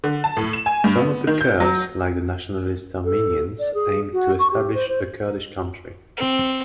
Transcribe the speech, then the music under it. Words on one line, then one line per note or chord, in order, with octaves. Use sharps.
Some of the Kurds, like the nationalist Armenians, aimed to establish a Kurdish country.
D3
A5
A2
E7
G#5
G2
B3
D#3
G6
F#3
A4
D5
G#4
F#4
C#6
G4
C5
C5
C4